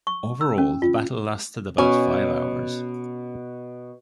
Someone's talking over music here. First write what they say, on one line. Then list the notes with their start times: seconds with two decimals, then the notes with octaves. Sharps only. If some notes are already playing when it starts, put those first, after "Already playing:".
Overall, the battle lasted about five hours.
0.07 C#6
0.41 E6
0.58 C#4
0.82 F4
1.78 B2 C#4 G#5